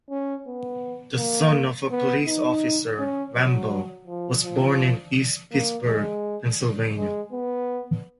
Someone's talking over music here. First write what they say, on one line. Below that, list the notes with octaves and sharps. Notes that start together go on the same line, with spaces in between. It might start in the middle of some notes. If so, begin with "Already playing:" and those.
The son of a police officer, Wambaugh was born in East Pittsburgh, Pennsylvania.
C#4
B3
A#3
B3
D#4
C#4
F#3
F3
F3
A#3
G#3
G#3
B3